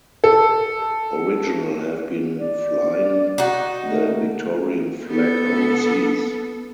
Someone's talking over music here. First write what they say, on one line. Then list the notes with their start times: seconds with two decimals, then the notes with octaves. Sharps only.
Original have been flying the Victorian flag overseas.
0.24 A4
2.39 D5
3.38 D#4 F#4
3.89 A3
5.08 B3 A4